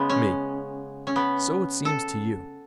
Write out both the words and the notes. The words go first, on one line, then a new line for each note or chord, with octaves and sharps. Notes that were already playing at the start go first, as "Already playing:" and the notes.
ME: So it seems to you.
Already playing: C#3 G#3 B3
C#4
C#4
B3
A4